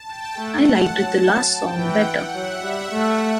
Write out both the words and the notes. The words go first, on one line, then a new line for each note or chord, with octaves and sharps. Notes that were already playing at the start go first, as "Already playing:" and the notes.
I liked the last song better.
Already playing: A5
G5
A3 F#5
A5
F#3
A5
G5
E3 F#5
F#5
F#3 E5
G3
A3